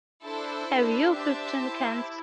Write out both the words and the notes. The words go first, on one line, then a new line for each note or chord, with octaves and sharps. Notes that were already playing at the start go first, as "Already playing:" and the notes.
Have you fifteen cans?
D4 E4 A4 C5
D4
G4 C5 E5 A5
E4